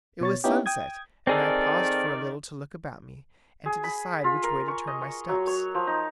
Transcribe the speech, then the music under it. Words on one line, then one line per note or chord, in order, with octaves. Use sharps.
It was sunset, and I paused for a little to look about me, and to decide which way to turn my steps.
B2 C#5 A6
B3 C#4 D#4 E4 G4
G5 D#6 G#6
D#3 C4 G#4 A4 D5
G#4
B5
F4
A#4
C#6
D#5
C#6
F#3
C#5
F3
D#4